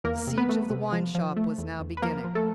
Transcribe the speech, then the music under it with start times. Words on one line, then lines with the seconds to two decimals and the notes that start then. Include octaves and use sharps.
The siege of the wine-shop was now beginning.
0.04 E2 A#3 A#4
0.27 C3
0.38 B3 B4
0.49 A3
0.70 C3
0.92 F3
1.15 F3
1.37 A3
1.58 E2
1.80 E2
1.97 B4
2.02 F3 A#3 A#4
2.24 F3
2.35 A3 A4